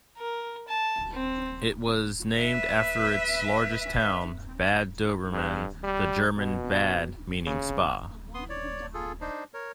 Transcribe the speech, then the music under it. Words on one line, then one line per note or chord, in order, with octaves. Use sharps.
It was named after its largest town, Bad Doberan, the German "Bad" meaning "spa".
A#4
A5
C4
B4 E5
G2
G3
B2
C#3
B3 C6 D#6
C#5 D5
F4 G#4 A4
D4 D#4 C5
A#4 C#5